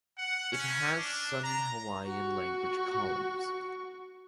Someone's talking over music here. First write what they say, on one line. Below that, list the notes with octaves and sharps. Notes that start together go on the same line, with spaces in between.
It has some Hawaiian language columns.
F#5
C#4
D4
A#5
F#4 C#6